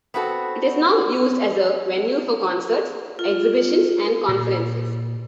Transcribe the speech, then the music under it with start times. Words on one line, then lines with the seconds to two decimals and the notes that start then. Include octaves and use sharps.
It is now used as a venue for concerts, exhibitions and conferences.
0.14 B3 C4 F#4 A4
3.19 F4
4.29 A#2